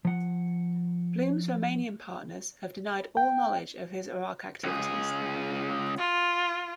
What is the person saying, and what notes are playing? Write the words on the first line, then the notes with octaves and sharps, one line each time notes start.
Bloom's Romanian partners have denied all knowledge of his Iraq activities.
F3 F#5
G5
C#2 G#4
F4